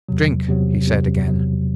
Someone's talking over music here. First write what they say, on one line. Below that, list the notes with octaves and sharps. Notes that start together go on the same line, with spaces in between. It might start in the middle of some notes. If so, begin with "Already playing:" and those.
"Drink!" he said again.
E2 C3 F#3
E2 C3 F#3
E2 C3 F#3
E2 C3 F#3